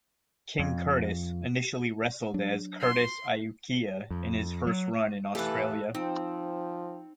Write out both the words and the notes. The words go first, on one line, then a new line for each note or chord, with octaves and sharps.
King Curtis initially wrestled as Curtis Iaukea in his first run in Australia.
F2
F#3 D4
C6
F2
F#3
E3 A3 G4 A4 B4 F5
F3 C4 D#4